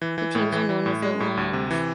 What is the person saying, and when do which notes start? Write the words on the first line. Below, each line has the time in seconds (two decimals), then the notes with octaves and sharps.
The teams are known as the "Lions".
0.02 E3
0.18 E3
0.35 A2
0.52 E3
0.69 E3
0.86 A2
1.02 G#3
1.20 A2
1.37 D2
1.53 C3
1.71 E3